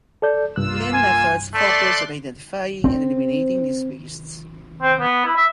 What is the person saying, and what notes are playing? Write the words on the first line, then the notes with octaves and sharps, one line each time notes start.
Lean methods focus on identifying and eliminating these wastes.
A4 D5 G6
C2 G2 A#3 F4 E6 F#6
G#5
A3 D5 C6 F#6
C4
C4
B3
E4
E5